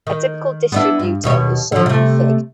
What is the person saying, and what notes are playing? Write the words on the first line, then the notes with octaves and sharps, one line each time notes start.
A typical distributor is shown in Fig.
D#3
B3 D4 E4
G2
D#2 B2 C#5
D3 F3
C3 A3